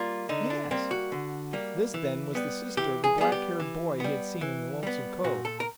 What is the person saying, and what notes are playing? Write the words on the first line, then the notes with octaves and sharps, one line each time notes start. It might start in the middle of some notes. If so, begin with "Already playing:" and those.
"Yes." This, then, was the sister of the black-haired boy he had seen in the Lonesome Cove.
Already playing: G3 A#3 F4
D3 D#4
D4
G3 A#3 C4
F#4
D3
G3 A#3
E3
G3 B3
E3 G4
G#4
G3 B3 G#4
G4
E3
G3 B3
E3
G3 B3
A#2 F#4
A4
A#4